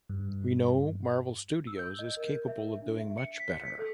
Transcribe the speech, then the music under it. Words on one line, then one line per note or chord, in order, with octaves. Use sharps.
We know Marvel Studios is capable of doing much better.
G2
E6
G6
D#5
A#4
E5
D4
E5
C#7
B6
B6
A4